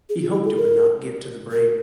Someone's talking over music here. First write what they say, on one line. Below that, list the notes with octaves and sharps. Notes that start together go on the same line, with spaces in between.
He hoped it would not get to the brain.
G#4
F4
E4
A4
A#4
A#4